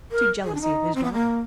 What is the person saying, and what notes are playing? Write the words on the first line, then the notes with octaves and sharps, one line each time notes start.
"To jealousy of his daughter."
A#4
G#4
D4
D#4
C4
B3
A#3